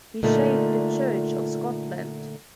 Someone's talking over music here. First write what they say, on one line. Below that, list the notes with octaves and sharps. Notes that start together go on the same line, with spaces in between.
He shaped the Church of Scotland.
A#2 D3 A3 D#4 F4